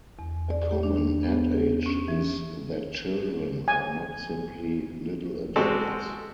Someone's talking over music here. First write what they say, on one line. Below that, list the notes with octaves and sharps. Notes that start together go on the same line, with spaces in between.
A common adage is that children are not simply "little adults".
E2
D5
G4
D4
D4
B3
G4
C#4
E3
G#5
G#3 C4 F#4 G4 A4